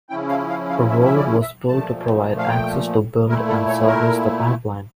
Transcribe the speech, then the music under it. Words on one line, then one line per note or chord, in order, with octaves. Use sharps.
A road was built to provide access to build and service the pipeline.
C#3 F3 C#4 E4 G5
F5
F5
F5
E5
E5
D5
E5
A#2 F3 A3 A5
F5
G5
A#2 A3 E4 A#4
A4
C#5
A#4